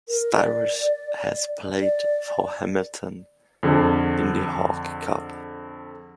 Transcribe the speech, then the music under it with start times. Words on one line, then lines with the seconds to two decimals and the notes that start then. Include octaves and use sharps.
Styris has played for Hamilton in the Hawke Cup.
0.08 A#4
0.34 D5
1.81 D5
3.63 F2 D3 G#4